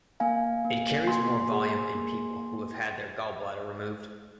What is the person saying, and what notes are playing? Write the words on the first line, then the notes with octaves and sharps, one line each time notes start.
It carries more volume in people who have had their gallbladder removed.
A#3 F5 G#5
A#3
A#3 G#5 C6
G#4
A#3